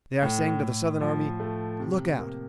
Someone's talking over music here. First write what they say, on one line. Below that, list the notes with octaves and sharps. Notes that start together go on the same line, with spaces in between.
They are saying to the Southern army: 'Look out!
A2
A2
F3
A3
C3
A#3